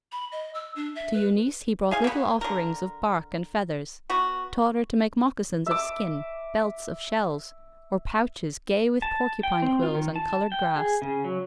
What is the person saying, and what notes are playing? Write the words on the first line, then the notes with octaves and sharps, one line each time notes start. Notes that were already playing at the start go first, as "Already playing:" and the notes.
To Eunice he brought little offerings of bark and feathers; taught her to make moccasins of skin, belts of shells, or pouches gay with porcupine quills and colored grass.
B5
D#5
E6
D4
E5
B4
G#4 F5 G#5
A#3 B3
D3 A#4
B3 F#4
E5 D6
A5
G5
C4
F4
D#3
A5
G5
G#4
C#3
F#3